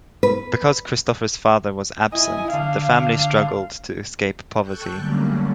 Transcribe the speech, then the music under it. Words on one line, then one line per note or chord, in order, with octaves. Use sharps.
Because Christopher's father was absent, the family struggled to escape poverty.
B4
E4 D#5 G#5
D3 F5
A4 G5 C#6 F#6 G6
D3 F#3 G3 A3 A#3 C#4